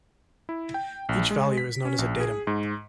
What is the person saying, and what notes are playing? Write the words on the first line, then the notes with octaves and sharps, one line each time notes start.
Each value is known as a datum.
E4
G5
A#1
G#3
B6
C#4
A#1
G#4
G#2